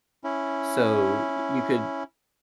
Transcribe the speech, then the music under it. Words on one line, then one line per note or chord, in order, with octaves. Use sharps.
so, you could
C#4 E4